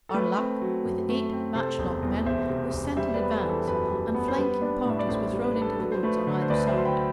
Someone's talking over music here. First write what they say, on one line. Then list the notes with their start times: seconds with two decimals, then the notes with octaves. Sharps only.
Arlac, with eight matchlock men, was sent in advance, and flanking parties were thrown into the woods on either side.
0.09 A4
0.14 A3 B4
0.38 C4
0.61 F#3
0.85 F#2
1.09 A3
1.32 C4
1.55 C3 A4 C5
1.79 E1
2.02 E2
2.26 E1 C5 E5
2.50 C3
2.73 E1
2.97 G3 C5 E5
3.09 C5
3.14 B4 D5
3.20 B3
3.32 A4 C5
3.44 E3
3.49 A4
3.67 F#2 B4
3.91 G3
4.15 B3
4.28 C5
4.38 G3 B4
4.62 D4
4.85 A2 E5
4.99 D5
5.09 A1 A4 C5
5.27 A4
5.32 G3
5.44 B4
5.56 D4
5.62 A4
5.79 F#3 B4
5.92 C5
6.03 A3 B4
6.27 D3
6.42 C5
6.50 D2 B4 D5
6.67 C5 E5
6.73 F#3 C6
6.85 G5 B5